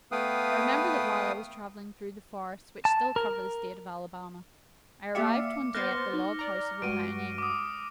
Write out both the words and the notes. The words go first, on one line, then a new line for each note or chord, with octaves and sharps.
I remember that while I was travelling through the forests which still cover the State of Alabama, I arrived one day at the log house of a pioneer.
A3 B3 B4 F5 G5 D#6
A5
A#4
A#3 G4 D5 E5 F5 G5 D6 C#7
B3 C5 F6 F#6 A6 A#6
D#4
D5 A#5
G2 G#3 F#4 B4 D7 D#7
D6 D#6